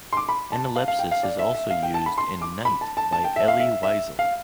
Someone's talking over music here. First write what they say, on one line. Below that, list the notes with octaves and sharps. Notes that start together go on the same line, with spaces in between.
Analepsis is also used in "Night" by Elie Wiesel.
C6
D6
B5
A5
F5
F5
G5
F5
D5
E5
E5
F5
G5
A5
B5
C6
D6
B5
A5
A5
A5
G5
E5
F5
E5
E5
F5